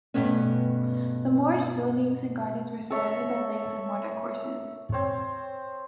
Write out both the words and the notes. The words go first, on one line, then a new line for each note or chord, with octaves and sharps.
The Moorish buildings and gardens were surrounded by lakes and watercourses.
G2 B2 A3 B3 C#4
A4 A#4 C#5 E5
C4 C5 C#5